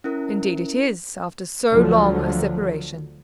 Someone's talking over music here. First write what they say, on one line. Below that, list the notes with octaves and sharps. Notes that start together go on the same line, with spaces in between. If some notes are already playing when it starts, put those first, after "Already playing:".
"Indeed it is, after so long a separation."
C#4 E4 A#4
D2 D3 F3 F#3